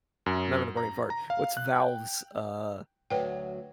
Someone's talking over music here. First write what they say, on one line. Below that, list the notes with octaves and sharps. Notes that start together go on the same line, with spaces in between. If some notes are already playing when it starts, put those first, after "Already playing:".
I'm having a brain fart. What's Valve's, uh
F#2
A#5
A#5
F5
F#6
G5
D2 F#3 B4 G5